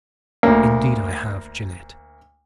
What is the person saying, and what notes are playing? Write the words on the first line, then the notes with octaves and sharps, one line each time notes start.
"Indeed I have, Jeannette."
D2 A#3